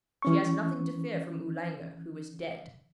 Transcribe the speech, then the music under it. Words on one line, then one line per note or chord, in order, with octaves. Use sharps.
She has nothing to fear from Oolanga, who is dead.
E3 C#4 C#6